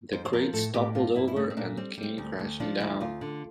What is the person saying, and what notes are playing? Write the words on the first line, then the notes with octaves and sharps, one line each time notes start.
The crates toppled over and came crashing down.
F2 C5
C5
F3 A#4
A2 A4
A2 G4
G2 F4
G2 E4
E4
A3 D4
C4
A#2 D4
G3 C4
G3
C4
D2
D2
F3 D4
D2 E4
D2 F4
D3